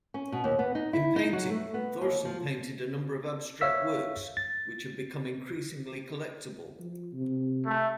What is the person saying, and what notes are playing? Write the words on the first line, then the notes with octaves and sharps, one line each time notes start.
In painting, Thorsen painted a number of abstract works, which have become increasingly collectible.
C#4
B2
D#2
B3
D#4
E4
D#4
F#3
A3
B3
D#2
F3
C#5 E5 F5 E6 B6
A6
F3
C3
A3